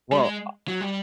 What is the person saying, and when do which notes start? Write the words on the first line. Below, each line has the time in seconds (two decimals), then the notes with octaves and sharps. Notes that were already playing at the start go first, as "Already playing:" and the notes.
Well, ah
0.12 G3
0.18 G#3
0.68 F#3
0.81 G3